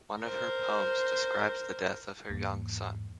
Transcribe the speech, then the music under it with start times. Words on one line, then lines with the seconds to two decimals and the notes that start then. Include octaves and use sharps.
One of her poems describes the death of her young son.
0.22 A#4 C5
2.30 E2 G#2 A#3